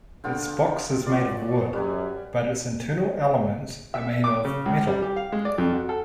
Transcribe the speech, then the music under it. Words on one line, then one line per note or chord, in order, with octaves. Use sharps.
Its box is made of wood, but its internal elements are made of metal.
D3 B3 F4 G5
A#2 F#3 D5
F#2 G3 B4 G#5
E5
D6
C#3
C#2
G3
G4
F5
G#3
D5
F2
F#4
A4